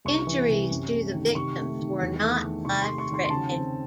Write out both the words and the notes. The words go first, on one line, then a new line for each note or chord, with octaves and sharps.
Injuries to the victims were not life-threatening.
C2 C#6
E3
C3
F#2
A3
D#3
C3 C#6
A3
D#3
E2
A3
D#3
C3 C#6
C6
A3
C#6
D#3
C6
C6
C#3 A5
C4